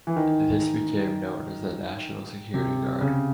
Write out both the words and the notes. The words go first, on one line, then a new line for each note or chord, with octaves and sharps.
This became known as the National Security Guard.
E3
D#3
C3
C#3